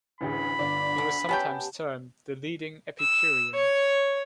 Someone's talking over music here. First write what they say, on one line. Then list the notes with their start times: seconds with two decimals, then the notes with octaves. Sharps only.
He was sometimes termed the leading Epicurean.
0.21 A1 D2 G#4 B5
0.59 G1 D3 D5
0.98 D2 D3
1.29 B3 C#4 G4 G5 A5
2.99 E6
3.54 C#5